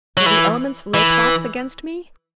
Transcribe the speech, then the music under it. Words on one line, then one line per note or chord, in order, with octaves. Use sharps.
Will the elements lay plots against me?
F#3
E3
E3